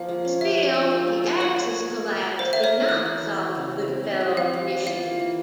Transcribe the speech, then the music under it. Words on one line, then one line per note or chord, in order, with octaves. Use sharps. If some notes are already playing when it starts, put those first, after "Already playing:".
Still, the Axis collapse did not dissolve the Goodfellow mission.
Already playing: F3 A#3 F5
G#3
C#4
G#3 E5
F3
G#3
A#3
F4
G#4
G#4 C#5
G#4
A#3
A#3
A#3
A#3
A#3 C5
A#4 E5
C#5
A#3
E3 C#5
G#3
E3
G#3
C#3
C#3
C4
C4
G3
C4 F5
G3
E3
F4 F5
A#3
E3